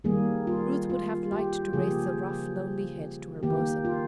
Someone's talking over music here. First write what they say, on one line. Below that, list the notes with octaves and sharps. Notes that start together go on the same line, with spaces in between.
Ruth would have liked to raise the rough, lonely head to her bosom.
D#3 G3 A#3 G#4
F4
F4
G4
C#3 F3 A#3 G#4
G4
G#4
D#3 A#3 G4
F4